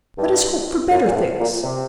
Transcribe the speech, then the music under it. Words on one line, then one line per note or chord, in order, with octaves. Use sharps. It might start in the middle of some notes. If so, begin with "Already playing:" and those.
Let us hope for better things.
G2
F#2
A#2
A2
A#2
C3